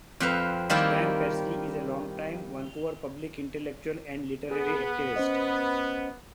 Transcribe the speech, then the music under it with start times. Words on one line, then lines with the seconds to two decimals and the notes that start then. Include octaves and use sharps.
Stan Persky is a long-time Vancouver public intellectual and literary activist.
0.20 F2 C4 B4 F5
0.70 D#3 G3 A#3 E4 F4 A5
4.51 B3 G#4
5.16 C#4 C5 D#5